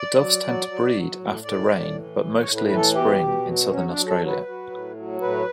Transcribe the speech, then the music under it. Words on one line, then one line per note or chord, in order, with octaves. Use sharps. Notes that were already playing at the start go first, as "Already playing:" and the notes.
The doves tend to breed after rain but mostly in spring in Southern Australia.
Already playing: D5
F#3
F#3
F#3
F#3
A2
A2 D5
A2
E3
A2
C#5
A2
B4
E3 B4
A4
B2 G4
B2
F#3
F#3 C#4
D4
F#3
A4
F#3
B4
F#3
A2
F#3
A2 B4